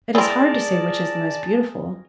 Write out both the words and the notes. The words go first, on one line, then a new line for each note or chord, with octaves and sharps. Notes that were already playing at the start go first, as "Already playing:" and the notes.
"It is hard to say which is the most beautiful."
E3 C4 G#4 A#4 D5 A5